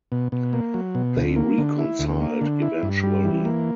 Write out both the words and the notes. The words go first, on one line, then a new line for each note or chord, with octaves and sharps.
They reconciled eventually.
B2
B2
A#3
F#3
B2
D2
A#3
D3
E4
D2
A#3
D3
E4
G2
G3
E3
A#3